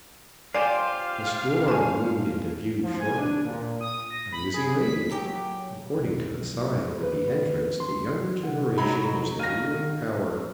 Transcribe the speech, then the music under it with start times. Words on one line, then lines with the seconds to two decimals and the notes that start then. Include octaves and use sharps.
A store loomed into view shortly; I was elated. According to the sign over the entrance, the younger generation was the ruling power.
0.55 F4 G4 C5 D5 F5 G#5 C7
1.68 G#5 A5
2.82 F3
3.00 G#5
3.18 D4
3.45 A#2
3.81 D#6
4.10 A#6
4.32 B5
4.54 G#4
4.83 B6
5.10 F#2 F#3 G4 G5
5.97 B1
7.03 B4
7.80 C6
8.43 C3 F#5
8.78 F#3 D#4 A#5 B5
9.39 F5 F6 A#6 D#7